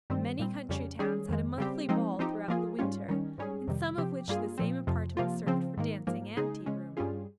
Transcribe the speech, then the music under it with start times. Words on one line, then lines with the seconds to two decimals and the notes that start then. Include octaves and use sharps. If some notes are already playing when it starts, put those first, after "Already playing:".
Many country towns had a monthly ball throughout the winter, in some of which the same apartment served for dancing and tea-room.
0.10 G2 D#3 G3 C4
0.39 A#2 G3 C4
0.69 F2 C#3 G3 C#4
0.99 D#3 G3 C#4 G#4
1.29 F2 D#3 G#3
1.58 C#3 G3 C4 G4
1.89 F3 G#3 C4 D#4
2.19 F3 C4 D#4 G4
2.48 F3 A#3 F4 G#4
2.79 G#2 G3 C#4 F4
3.09 D#3 G3 C#4
3.38 G#2 G3 C#4 G#4
3.67 F2 C3 D#3 G3
3.98 C3 F3 C4 G4
4.28 G2 G3 A#3 F4 G#4
4.58 A#2 F3 C4
4.87 F2 C3 F3
5.17 C3 F3 A#3 F4
5.46 C#3 F3 C4
5.77 G#2 D#3 A#3
6.07 G#2 F3 A#3
6.37 C#3 G#3 D#4 G#4
6.66 C#3 G#3 C#4
6.97 G2 G3 C#4 F4 G#4